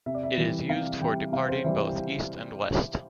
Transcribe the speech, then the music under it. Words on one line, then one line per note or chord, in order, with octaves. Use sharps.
It is used for departing both east and west.
C3 E5
D5
E5
E3 G3
C3 F5
E3 G3 G5
C3 F5
C5
E3 G3 E5